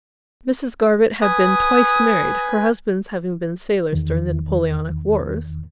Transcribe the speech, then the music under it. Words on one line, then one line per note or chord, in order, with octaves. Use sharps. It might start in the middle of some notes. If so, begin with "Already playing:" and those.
Mrs. Garbutt had been twice married, her husbands having been sailors during the Napoleonic wars.
B4 G#5 D#6
E2 D#3